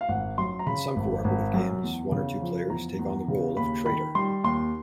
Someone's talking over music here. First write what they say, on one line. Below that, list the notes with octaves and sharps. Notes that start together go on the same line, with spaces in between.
In some cooperative games, one or two players take on the role of traitor.
F5
G#1 F#5
F#2 C6
A#5
C#3 B5
G#1
G#1
F#2
E2
C#3
F3
E2 A#5
E2
C#3
D#2 B5
D#3 B5
G3 C6
D#2 C6